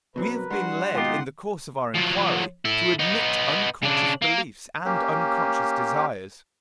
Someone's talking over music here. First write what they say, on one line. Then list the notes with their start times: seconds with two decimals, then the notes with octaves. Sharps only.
We have been led, in the course of our inquiry, to admit unconscious beliefs and unconscious desires.
0.16 B2 F#3 C4 A#4 B4
0.50 G3 D4 F#4 F#5 C6
0.95 D#2 G#2 B2 D#4 F4 G4
1.94 F3 F#3
2.65 E4 A4
2.99 B3 D#4
3.83 C#3 D4
4.22 A#3
4.85 A#3 C#4 G4